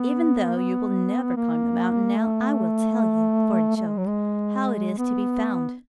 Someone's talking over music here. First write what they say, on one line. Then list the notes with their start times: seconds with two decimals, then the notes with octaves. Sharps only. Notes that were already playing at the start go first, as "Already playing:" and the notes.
Even though you will never climb the mountain now, I will tell you, for a joke, how it is to be found.
Already playing: B3
0.47 A#3
0.56 B3
1.36 A#3
2.16 A3
3.77 A3
3.87 G#3
3.97 F#3
4.07 G#3
4.98 B3